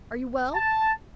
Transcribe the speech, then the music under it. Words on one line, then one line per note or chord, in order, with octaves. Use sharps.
"Are you well?"
A5